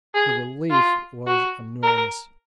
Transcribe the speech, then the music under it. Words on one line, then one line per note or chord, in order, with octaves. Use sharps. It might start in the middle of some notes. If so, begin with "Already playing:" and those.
The relief was enormous.
G#4
F4
F#4
A#4